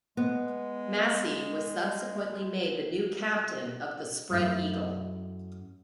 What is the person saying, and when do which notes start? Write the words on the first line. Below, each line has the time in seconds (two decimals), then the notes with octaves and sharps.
Massie was subsequently made the new captain of the "Spread Eagle".
0.17 G#3 B3
4.30 F#2 A3 E4